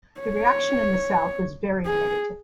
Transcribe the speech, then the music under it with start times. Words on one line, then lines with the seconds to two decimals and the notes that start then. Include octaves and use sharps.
The reaction in the South was very negative.
0.20 C#5
1.86 G#4